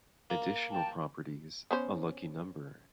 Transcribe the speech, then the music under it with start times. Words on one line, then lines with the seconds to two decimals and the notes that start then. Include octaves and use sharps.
Additional properties: a lucky number.
0.30 A#3
0.70 G5 A5
1.71 B3 C#4 C5